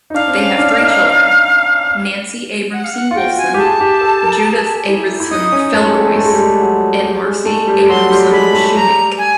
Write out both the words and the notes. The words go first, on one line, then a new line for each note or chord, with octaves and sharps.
They have three children: Nancy Abramson Wolfson, Judith Abramson Felgoise and Marcy Abramson Shoemake.
D#4
D4 F5
C4
C#4
D4
D#4
F#5
F5
F#5
F4
F#4 G5
G#5
G4
G#4 A5
G4
A4
A#4
A4
E4
E4
D#4 D#6
C#4
A3
G#3
A3
G#3
G3
G#3
F#3
G3
G#3
A3
G3
F#3 C6
G3
G#3 B5
A3
G3 A#5
G#5